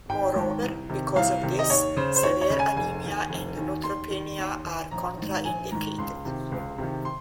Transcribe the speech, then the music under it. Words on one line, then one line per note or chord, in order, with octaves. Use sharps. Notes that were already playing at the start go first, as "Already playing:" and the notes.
Moreover, because of this, severe anemia and neutropenia are contraindicated.
G#1 G5
G#2 D#3
C2
C3 D#3
C2 F5
C3 D#3
D#5
D#2 C#5
C#3 C5
C5
D#2 C#5
C#5
C#3
G#5
F1 G#5
D#2 D#3
F1
D#2 D#3
D#2 C6
D#3
D#2
D#3
A#1 A#5
G#2 D#3
A#1 G#5
G#2 D#3 A#5
C#2 C6
C3 D#3
C#2
C3 D#3
C6